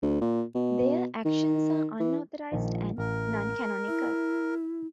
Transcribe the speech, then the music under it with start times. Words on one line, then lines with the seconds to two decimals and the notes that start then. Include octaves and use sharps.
Their actions are unauthorized and non-canonical.
0.02 D2
0.21 A#2
0.55 B2
1.25 D#3
2.00 E3
2.52 A#1 D#3 F3
2.98 A1 A#4
3.88 E4 E5